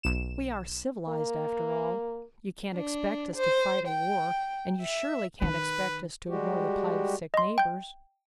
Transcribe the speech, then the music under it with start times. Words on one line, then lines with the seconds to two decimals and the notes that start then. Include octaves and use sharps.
"We are civilized, after all. You can't expect us to fight a war--and you surely can't expect us to ignore the plight of sick neighbors?"
0.03 B1 E7
1.08 A#3
2.76 D4
3.36 C5
3.88 G5
4.82 E5
5.42 D#3 B4
6.29 G3 G#3 F#4 G4
7.34 D#5 C6
7.58 G5 G6